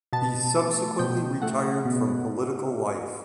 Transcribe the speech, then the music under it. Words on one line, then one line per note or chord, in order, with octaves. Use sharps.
He subsequently retired from political life.
B2 A5
A3
B2 G5
A3 F#5
B2